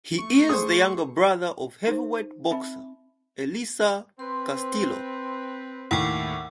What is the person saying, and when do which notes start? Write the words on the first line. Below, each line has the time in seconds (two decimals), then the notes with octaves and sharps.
He is the younger brother of Heavyweight boxer Elieser Castillo.
0.19 A3 C#6
0.49 G#4 C5 D#6
1.87 D#4 C5
2.51 C4 E5 B5
4.19 C4 B4 C6
5.91 D#2 A2 F#5 G5 C#6 D6